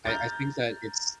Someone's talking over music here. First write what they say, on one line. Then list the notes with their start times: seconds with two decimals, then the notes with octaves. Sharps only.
I I think that it's
0.05 A#5 F6 G6 A6